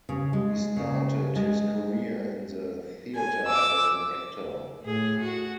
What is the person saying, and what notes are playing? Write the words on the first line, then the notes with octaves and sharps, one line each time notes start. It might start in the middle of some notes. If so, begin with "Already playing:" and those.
He started his career in the theatre as an actor.
C#3
G#3
C#3
G#3
G#5
D6 E6
A2 G#4
F#4